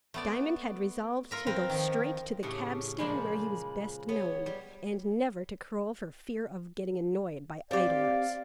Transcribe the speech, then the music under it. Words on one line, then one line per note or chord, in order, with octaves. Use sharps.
Diamond had resolved to go straight to the cab-stand where he was best known, and never to crawl for fear of getting annoyed by idlers.
A3 B3 D5
F4 A#4 E5
C4 A#4 B4
D#3 F3
A2 C#3 A3 G4
A#2 F3 G#3 B5
B3 C#5
G3
C4 G4 D5 F5